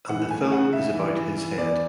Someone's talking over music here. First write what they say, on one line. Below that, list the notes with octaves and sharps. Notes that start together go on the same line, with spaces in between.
And the film is about his head.
E3 F#5
A3 G#5
C#3 F#5
C#3 E5
E3
E3
E3
E2 D5